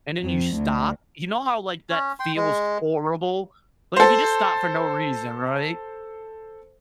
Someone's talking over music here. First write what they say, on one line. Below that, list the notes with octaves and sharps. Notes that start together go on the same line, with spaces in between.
and then you stop, you know how, like, that feels horrible? Like, if you just stop for no reason, right?
F2
D2
C#4
G5 C6
G#3
A4 C5